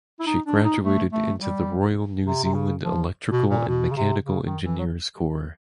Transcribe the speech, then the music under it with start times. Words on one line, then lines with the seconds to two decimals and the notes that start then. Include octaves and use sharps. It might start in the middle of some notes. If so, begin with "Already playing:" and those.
She graduated into the Royal New Zealand Electrical and Mechanical Engineers Corps.
0.19 E4
0.26 D#4
0.46 D4
0.64 D#4
0.83 A3
1.13 A3
1.40 G3
2.26 C3
2.44 C3
2.54 C#3
2.83 F3
3.31 B2
3.50 A#2
3.68 B2
3.91 C#3
3.96 C3
4.25 C#3
4.45 D#3
4.63 E3
4.78 F#3